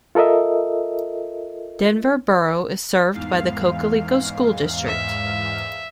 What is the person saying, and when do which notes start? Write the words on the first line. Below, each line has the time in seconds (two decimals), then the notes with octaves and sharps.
Denver Borough is served by the Cocalico School District.
0.15 F4 A4 A#4 D#5 E5
3.14 E2 G#2 F5
4.86 E5